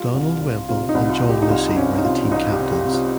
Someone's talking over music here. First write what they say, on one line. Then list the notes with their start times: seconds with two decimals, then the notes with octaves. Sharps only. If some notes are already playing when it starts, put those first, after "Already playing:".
Donald Wemple and John Lucy were the team captains.
Already playing: G3 F4
0.14 C2
0.41 C2
0.68 C3 F4
0.89 D#4
0.95 C2
1.09 F4
1.22 C2
1.29 G4
1.42 D#4
1.49 C2 F4
1.68 D#4
1.76 C3 C#4
1.98 D#4
2.04 C3 F4
2.31 C2 D#4
2.52 G4
2.59 C3
2.72 G4
2.85 C3
2.93 F4